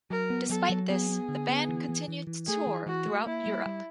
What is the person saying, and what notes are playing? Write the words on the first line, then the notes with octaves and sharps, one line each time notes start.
Despite this, the band continued to tour throughout Europe.
F#3 A#4
B3
F#3 A4
F#3
B3 G#4
B3
D3
B3
E3
E3
E3
E3
A3 G#4
E3
E3 F#4
A3
A#3 E4
G3
G3